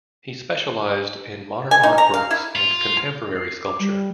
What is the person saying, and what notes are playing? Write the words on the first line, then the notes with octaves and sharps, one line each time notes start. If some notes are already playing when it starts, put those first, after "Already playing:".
He specialised in modern art works and contemporary sculpture.
G#5
D#4
A#5
F5
E4
F4
C7
D6
G3